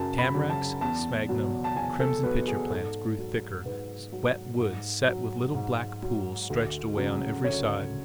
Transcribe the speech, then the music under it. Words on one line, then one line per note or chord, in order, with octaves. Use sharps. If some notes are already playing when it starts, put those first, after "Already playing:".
Tamaracks, sphagnum, crimson pitcher-plants grew thicker; wet woods set with little black pools stretched away on every side.
Already playing: F#2 C#3 F#3 A5
B5
C#3 F#3
A5
E2 A5
B2 F#3
A5
E2 G#5
A4
B2 F#3 B4
G#4
G#2 A4
F#3
G#2 B4
F#3
G#2
F#3
G#2
F#3
D2
C#3 F#3
D2 C#5